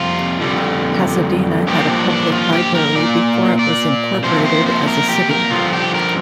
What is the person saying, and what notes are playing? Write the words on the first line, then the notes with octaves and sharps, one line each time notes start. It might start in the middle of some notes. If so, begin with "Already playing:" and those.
Pasadena had a public library before it was incorporated as a city.
Already playing: F2 C3 G3 A#3 F4
F2 D3 G3
G2 F3 A#3 G4
C4
D4
D4
F4
G4
A#4
A#2 A#3 D5
D5
C3 F3 A#3 C5
C5
C5
A#4
G4
A#4
G2 D3 F3 F4
G4
A#4